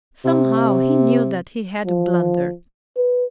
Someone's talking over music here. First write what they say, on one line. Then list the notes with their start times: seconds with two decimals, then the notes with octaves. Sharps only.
Somehow he knew that he had blundered.
0.25 C3
1.86 F3
2.97 B4